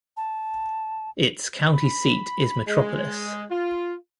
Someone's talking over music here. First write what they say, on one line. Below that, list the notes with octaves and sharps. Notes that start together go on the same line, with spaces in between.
Its county seat is Metropolis.
A5
B5
G#3
F4